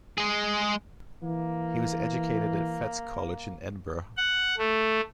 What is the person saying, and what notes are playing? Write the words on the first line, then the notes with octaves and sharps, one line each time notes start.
He was educated at Fettes College in Edinburgh.
G#3 G#4
E3 A#3
F#5
A3